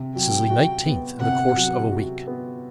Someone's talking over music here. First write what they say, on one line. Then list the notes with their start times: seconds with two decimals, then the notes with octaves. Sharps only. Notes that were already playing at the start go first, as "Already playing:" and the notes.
This is the nineteenth in the course of a week.
Already playing: C3
0.15 F#3 G5
0.50 F#4
0.86 B3
1.21 C3 F#5
1.56 F#3
1.92 F#4
2.27 B3